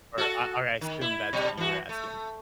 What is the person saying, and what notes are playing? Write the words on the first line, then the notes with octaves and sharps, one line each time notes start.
Or I or I assume that's what you were asking.
F#4 A4
D#3
E4
B2 G3
E3 F#4
A3